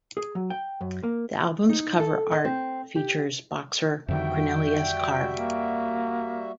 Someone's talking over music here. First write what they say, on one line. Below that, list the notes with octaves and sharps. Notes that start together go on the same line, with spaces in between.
The album's cover art features boxer Cornelius Carr.
G#4
F#3
G5
F#2
A#3
D#4
A4
D#5
C4
G4
F2 D3 D#3 G3 F#4 E5 G5
A#3